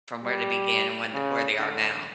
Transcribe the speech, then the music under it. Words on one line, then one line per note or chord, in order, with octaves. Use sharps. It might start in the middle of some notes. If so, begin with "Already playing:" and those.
from where they began and when where they are now.
G3
C#3
D3